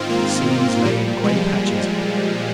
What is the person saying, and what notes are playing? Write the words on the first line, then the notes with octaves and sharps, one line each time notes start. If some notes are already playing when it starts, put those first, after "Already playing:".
The seas lay in gray patches.
Already playing: G#2 D#3 C4 F4
A#3
A#2 F3 G3
G#3